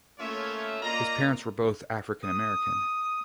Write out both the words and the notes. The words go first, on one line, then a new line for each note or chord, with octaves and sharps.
His parents were both African-American.
A3 A#3 C#4 F4 C#5 E5
A#3 F4 D5 D#5 A#5
D#6